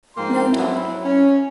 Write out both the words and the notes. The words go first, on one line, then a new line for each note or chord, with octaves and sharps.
No talk.
G#2 F3 A#3 G5 C6
F#3 E4
C#4